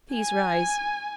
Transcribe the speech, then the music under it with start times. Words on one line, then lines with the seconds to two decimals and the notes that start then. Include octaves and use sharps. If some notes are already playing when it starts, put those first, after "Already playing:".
Please rise.
0.14 G#5